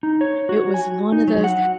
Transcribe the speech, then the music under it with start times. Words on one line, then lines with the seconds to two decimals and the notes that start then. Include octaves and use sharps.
It was one of those
0.03 D#4
0.21 C#5
0.49 F#4
0.74 G#5
1.12 D#4
1.28 F#3
1.44 F#5